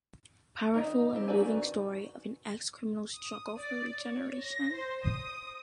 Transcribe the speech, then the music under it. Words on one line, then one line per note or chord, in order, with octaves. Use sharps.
Powerful and moving Story of an Ex-Criminal's struggle for regeneration.
D#3 D#4 D#5
G3 C4
D#3 F#4 B4 D5 G#5
D#6
D5
C#5
A#6
C5
D#6